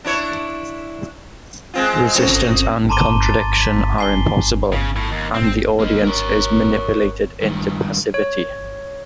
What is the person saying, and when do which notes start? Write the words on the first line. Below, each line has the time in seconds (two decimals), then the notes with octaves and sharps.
Resistance and contradiction are impossible, and the audience is manipulated into passivity.
0.04 D4 E4 C#5
1.74 G#3 C4 F4
2.15 F2 C4 C#4
2.90 A5 A#5 C6 D6 D#7 G7
3.24 A6
3.62 B6
3.98 G#5 C7 G7
4.72 C#3
4.96 A2
5.12 D#2
5.35 C4
5.80 A#3 D#4
6.04 A#4 C#5
7.41 G2 D#3
8.14 C#5